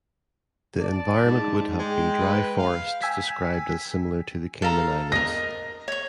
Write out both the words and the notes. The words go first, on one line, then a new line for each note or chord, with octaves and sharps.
The environment would have been dry forests described as similar to the Cayman Islands.
D5 A5
G#2
G#3 G5
B4
F5
G5 G#5 E6 G#6 B6
A4 F5 A#5
A#4 D#5 A#6
C#5 C#6